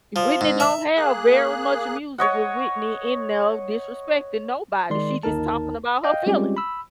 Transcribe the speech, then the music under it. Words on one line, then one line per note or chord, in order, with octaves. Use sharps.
Whitney don't have very much music with Whitney in no disrespecting nobody; she just talking about her feelings.
F3
G#2
E5
A#3 G#4 F#6
C#5 D#5 F#5
D#3 G#3 D5 C6
G1 D#2 D#4 A#4 A5
D#5 F5 G5 G6
G3 G#3 C4 C#4 F4 G4
B5 E6